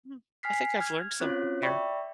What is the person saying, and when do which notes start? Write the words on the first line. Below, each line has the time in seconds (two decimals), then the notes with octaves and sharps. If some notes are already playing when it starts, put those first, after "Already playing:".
Hmm, I think I've learned something here.
0.43 G#5 F6 B6 C7
0.80 F6 G#6
1.20 C4 C#4 F4 F#4 C#5
1.62 D5 E5 G5 B5 C#6